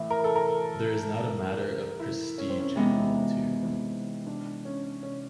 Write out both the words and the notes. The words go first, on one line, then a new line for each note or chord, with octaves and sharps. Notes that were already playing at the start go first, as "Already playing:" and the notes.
There is not a matter of prestige involved here.
Already playing: A2 E3 A3
A#4
A4
A#4
E4
C#4
C4
C#4
C3 E3 G#3 B3 D#4
D4
C#4
C#4